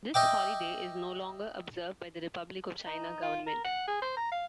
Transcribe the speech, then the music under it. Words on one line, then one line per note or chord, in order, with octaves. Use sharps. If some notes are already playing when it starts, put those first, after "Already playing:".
This holiday is no longer observed by the Republic of China government.
D#5 E5 G5 D6
D#4
F4
A#4
F#5
G#4
C5
A#5
F5